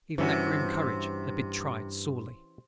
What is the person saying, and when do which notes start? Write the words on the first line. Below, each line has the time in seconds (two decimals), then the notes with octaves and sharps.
Even that grim courage had been tried sorely.
0.18 G2 C3 E3 C#4 F#4